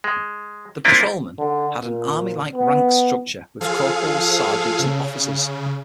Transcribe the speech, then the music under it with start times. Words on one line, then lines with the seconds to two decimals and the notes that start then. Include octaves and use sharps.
The patrolmen had an army-like rank structure with corporals, sergeants and officers.
0.04 G#3
0.85 A#3 C4 D4 E4 F4
1.39 D3
1.83 A#2
2.54 B3
3.61 F3 G#4 A4 F5
4.79 C#3